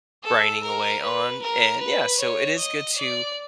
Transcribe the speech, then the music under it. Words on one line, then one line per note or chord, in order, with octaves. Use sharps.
grinding away on, and yeah, so, it is good to
A4
A#4
B4
A#4
B4
C#5
D#5
D5